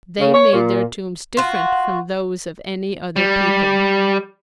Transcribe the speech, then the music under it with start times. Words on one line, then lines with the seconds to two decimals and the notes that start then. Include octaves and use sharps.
They made their tombs different from those of any other people.
0.20 C#3
0.33 C#5
0.53 A#2
1.37 F4 F#4
3.16 G3